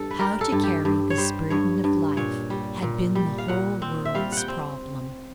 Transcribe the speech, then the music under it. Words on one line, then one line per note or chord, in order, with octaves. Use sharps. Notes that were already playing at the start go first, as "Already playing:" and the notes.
How to carry this burden of life had been the whole world's problem.
Already playing: G2 A4
B4
G3 A#4
A4
G2
G4
G2
C#5
G3 C5
G2 C#5
G2
A#2 C#5
G3
A#2
G3
F5
A#2 F#5
C4
E5
G3 F5
F#5 G5
C4